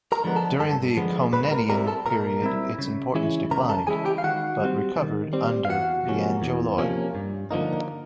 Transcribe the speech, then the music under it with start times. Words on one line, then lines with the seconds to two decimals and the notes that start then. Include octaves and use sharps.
During the Komnenian period, its importance declined, but recovered under the Angeloi.
0.12 A#4 A#5
0.24 D3 F3 G#3 B3
0.36 A4 A5
0.60 G2 A4 A5
0.97 D3 F3 G#3 B3
1.33 A#2 B4 B5
1.51 A#4 A#5
1.69 G3 C4 E4 A#4 A#5
1.87 A4 A5
2.06 A#2 A#4 A#5
2.42 G3 C4 E4
2.79 C#3
3.15 E3 G#3 C#4 E4
3.51 C#3 A#4 A#5
3.69 A4 A5
3.87 E3 G#3 C#4 E4 G#4 G#5
4.05 G4 G5
4.18 F5
4.24 D#3 F#4 F#5
4.60 G3 C4
4.96 D#3
5.33 G3 C4
5.65 F5
5.69 E2 F#4 F#5
6.06 C3 F3 A#3 C#4
6.42 E2
6.78 C3 F3 A#3 C#4
7.15 G2
7.51 D3 F3 A#3 D#4